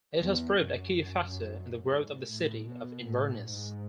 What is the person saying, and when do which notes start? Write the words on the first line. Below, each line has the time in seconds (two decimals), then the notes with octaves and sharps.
It has proved a key factor in the growth of the city of Inverness.
0.20 E2
0.61 F#2
1.85 G#2
2.26 A2
2.67 B2
3.08 A2
3.50 G#2